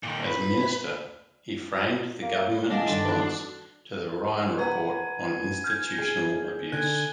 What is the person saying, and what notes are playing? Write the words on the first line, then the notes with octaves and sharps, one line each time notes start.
As Minister, he framed the Government response to the Ryan Report on Institutional Abuse.
A#2 D#3
B4
A#3
G#3 D4 G#4 D#5 F5 F#5 A#6
G2 D3 D#3 D5 C6
F#4 A4 F#6
B4 F#5 G#5 A#5
F6 G6 G#6
G#4
D3 G#5 F#6